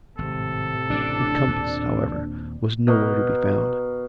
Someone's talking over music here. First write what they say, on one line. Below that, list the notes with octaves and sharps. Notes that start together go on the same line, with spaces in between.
The compass, however, was nowhere to be found.
G#1 A2 C3 A4
A1 C#3 D4
D#2 A#2 C4
B2 A#4